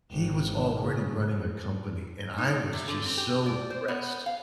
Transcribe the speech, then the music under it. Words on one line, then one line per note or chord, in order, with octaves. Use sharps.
he was already running a company, and I was just so impressed,
G#1
C#3
D#4
C3
D3
C4
G4
D5
C5
B3
F5